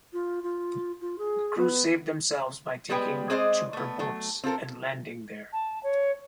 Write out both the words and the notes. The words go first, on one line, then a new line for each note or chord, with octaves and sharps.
The crew saved themselves by taking to her boats and landing there.
F4
F4
F4
G#4
B3
G3 G#3 B3 G#4 B4 G5
G#3 C4 G#4 C5 D5 D#5
A3 B3
F#3 A3
C4 F4 A4 A#4
A5
C#5